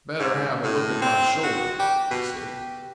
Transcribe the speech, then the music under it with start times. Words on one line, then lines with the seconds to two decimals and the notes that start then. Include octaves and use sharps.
'Better have a look at my shoulder,' he said.
0.20 G#2
0.64 A2
1.02 C4
1.43 F#4
1.80 G4
2.11 B2
2.37 G4